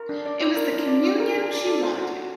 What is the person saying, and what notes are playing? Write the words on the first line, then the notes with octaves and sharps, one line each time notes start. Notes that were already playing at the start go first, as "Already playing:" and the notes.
It was the communion she wanted.
Already playing: A#4
D4
D5
F4
A#4
D4
D5
F4
A#4
D4
D5
A4
C5
F#4
F#4